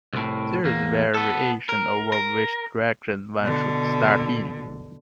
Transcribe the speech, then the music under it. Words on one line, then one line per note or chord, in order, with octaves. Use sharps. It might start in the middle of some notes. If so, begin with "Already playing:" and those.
There is variation over which direction one should start in.
C2 A2
E2 A#3
B3 A4
A#4
A#4
B2 D3